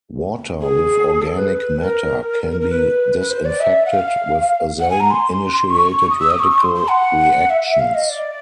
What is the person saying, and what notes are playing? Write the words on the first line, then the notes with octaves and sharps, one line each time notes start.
Water with organic matter can be disinfected with ozone-initiated radical reactions.
G#4
A4
B4
A#4
A#4
A#4
B4
B4
C5
D5
E5
F#5
F5
F#5
G#5
A#5
C6
C#6
C#6
D#6
E6
D#6
C#6
C#6
C6
C6
F#5
E5
E5
F5
D#5
D5